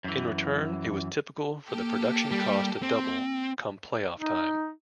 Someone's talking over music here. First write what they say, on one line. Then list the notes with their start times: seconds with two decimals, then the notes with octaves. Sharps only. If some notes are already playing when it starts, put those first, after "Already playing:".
In return, it was typical for the production cost to double come playoff time.
0.04 F#2 E3
1.66 A#3 G4 A4
2.31 G3
2.83 C4
4.19 D#4